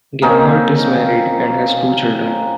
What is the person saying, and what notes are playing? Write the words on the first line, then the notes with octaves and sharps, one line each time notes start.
Gerhardt is married and has two children.
A#3 C4 C#4 D#4